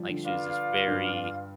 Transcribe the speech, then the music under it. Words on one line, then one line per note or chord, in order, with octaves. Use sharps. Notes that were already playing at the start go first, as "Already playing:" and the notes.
Like, she was just very,
Already playing: F3 G3
D3
F4 B4 D5 F5
G2